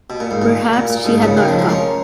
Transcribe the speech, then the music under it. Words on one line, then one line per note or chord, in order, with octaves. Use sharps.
Perhaps she had not come.
B2
A#2
G#2
A#2
A#2
A#2
G#2 B2
A#2 C#3
B2 D#3
C#3 F3
F3 G#3
A#3 C#4